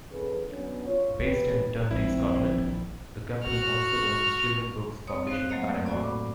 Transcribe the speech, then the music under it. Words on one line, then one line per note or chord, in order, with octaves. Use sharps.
Based in Dundee, Scotland, the company also owns children books publisher Parragon.
E2 C#4 G#4 A4 B4
F#3 B3 C#4 D4
F4 C#5
E3 B3 C#4 G4 B4
A#1 C4 E4
F#4 F6
C4 C#5 D#6
C4 C5 F5 F#6
F#3 A3 A#3 D#5 F5
A2 F#4 D5
G2 D6